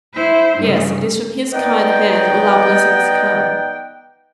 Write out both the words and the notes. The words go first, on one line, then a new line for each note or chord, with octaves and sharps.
"Yes, it is from his kind hand all our blessings come."
E4 C5
G2 C#3
B3 D#4 D5 D#5 F#5 G5